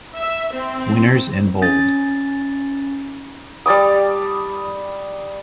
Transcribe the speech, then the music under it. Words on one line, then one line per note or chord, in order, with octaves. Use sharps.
Winners in Bold.
E5
C4
C#4 A6
G3 A5 D6 D#6